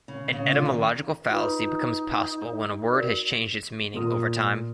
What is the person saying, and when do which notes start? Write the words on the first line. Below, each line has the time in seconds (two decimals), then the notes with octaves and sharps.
An etymological fallacy becomes possible when a word has changed its meaning over time.
0.08 C#3
0.33 C#3
0.53 F4
0.65 D#3
1.29 D#4 F4 G4 B4
2.90 F#4 A#4 D5
3.94 A#2 F4 A#4 D#6